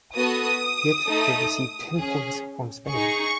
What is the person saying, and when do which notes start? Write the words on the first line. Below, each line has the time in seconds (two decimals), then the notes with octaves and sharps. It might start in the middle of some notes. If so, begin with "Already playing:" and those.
Yet they received ten points from Spain.
0.15 B3 F#4 A4 D#6
1.07 A3 D#4 A4
1.98 C#4 G#4
2.90 D#4 G#4 C#6